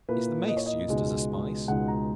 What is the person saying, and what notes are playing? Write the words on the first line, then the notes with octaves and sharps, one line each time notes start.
Is the Mace used as a spice?
A#2 A#3 E4 B4
D#5
C#5
D#5
C#2 B2 G#3 D#4
C#2 B2 G#3 D#4 F#5
A#5